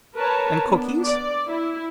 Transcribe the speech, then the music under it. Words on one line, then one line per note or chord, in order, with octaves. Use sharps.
"And cookies?"
A#4 B4 C#5 A5 A#5
B3 D4
D5
E4